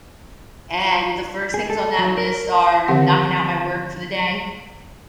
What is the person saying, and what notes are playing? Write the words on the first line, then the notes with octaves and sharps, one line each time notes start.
and the first things on that list are, knocking out my work for the day,
G#4
A4
F#3
A#4
D3 D#3 F3 C4 G4 F#5